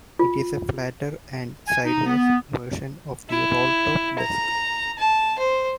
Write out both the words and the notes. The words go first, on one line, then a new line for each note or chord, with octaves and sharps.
It is a flatter and "sideways" version of the rolltop desk.
F4
G#5
D#4
B3
E4
A#5
A5
C5